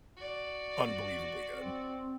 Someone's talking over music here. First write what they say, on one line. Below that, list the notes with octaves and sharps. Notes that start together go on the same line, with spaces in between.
unbelievably good.
F#4 D5
C4